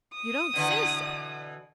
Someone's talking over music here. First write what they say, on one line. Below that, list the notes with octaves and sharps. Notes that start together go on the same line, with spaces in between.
"You don't say so?"
D#6
B2 D3 E3